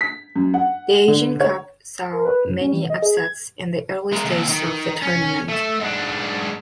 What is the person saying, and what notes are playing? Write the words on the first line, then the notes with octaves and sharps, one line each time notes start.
The Asian Cup saw many upsets in the early stages of the tournament.
B6
F#2
F#5
D3
C#5
A#4
B4
F#2
C#4
E3
D#5
G#4
G#6
G#3 A#4
D#2 C3
D#3
C#4
A3 E5
G#2 D4